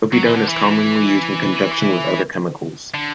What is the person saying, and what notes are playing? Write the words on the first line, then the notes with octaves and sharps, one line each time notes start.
Povidone is commonly used in conjunction with other chemicals.
F#3
E3
D3
E3
D3